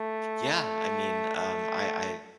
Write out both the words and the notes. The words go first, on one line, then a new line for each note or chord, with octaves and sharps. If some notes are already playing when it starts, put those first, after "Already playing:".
Yeah, I mean, um, I I
Already playing: A3
A3
A3